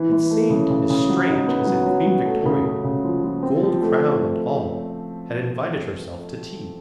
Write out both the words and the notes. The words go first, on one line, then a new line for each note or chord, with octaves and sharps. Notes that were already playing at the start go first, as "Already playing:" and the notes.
It seemed as strange as if Queen Victoria, gold crown and all, had invited herself to tea.
Already playing: E3
E3
A3
C#3
C#3
C#3
F#3
D#4
B3
F#3
F#3
F#3
A3
C#3
C#3
C#3
F3
F3
C4
F3
A3